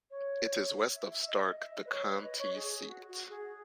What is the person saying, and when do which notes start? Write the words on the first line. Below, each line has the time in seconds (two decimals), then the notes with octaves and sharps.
It is west of Starke, the county seat.
0.11 C#5
0.95 E5
1.11 E5
1.27 D#5
1.44 D#5
1.59 E5
1.75 D#5
1.86 B4
1.91 C#5
2.07 B4
2.23 D#5
2.39 C#5
2.55 G#4
2.71 G#4
2.87 F#4
3.08 F#4
3.30 G#4